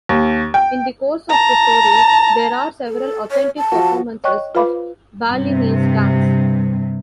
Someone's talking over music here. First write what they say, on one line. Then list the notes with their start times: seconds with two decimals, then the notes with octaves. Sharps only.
In the course of the story there are several authentic performances of Balinese dance.
0.09 D#2
0.54 G5
1.29 A5 A#5
2.87 A4
3.31 C#5
3.57 A5
3.72 F3 F#4
4.24 C#5 D#5 G5 C#6 F#6
4.55 F4 B4 C5 F5 B5 D6
5.29 G2 C3